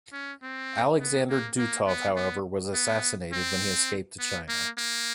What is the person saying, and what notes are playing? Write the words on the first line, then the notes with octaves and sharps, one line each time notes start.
Alexander Dutov however was assassinated when he escaped to China.
C#4
C4
B3
A#3
A#3
B3
B3
B3
C4
B3
A#3
A#3